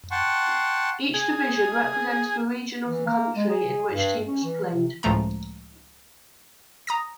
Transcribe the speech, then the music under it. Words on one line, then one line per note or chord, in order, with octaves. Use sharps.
Each division represented a region of the country in which teams played.
F#5 G5 A5 C6 C#6
G#4
E3
A#3
G#3
G#4
G2
C#4
E3
C3
C#2 A2 F3 A3 A#5
A#5 D#6 A#6